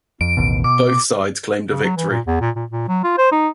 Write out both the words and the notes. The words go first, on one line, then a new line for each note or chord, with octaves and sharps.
Both sides claimed a victory.
F2 D7
A1 D#2 B2
B2 D6
C#3
F#3
E3
A#2
E2
A#2
A#2
A#2
F#3
F4
C5
D#4